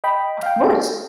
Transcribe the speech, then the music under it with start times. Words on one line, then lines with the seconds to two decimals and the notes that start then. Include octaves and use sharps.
Of course.
0.04 D#5 G5 B5
0.43 F5 G5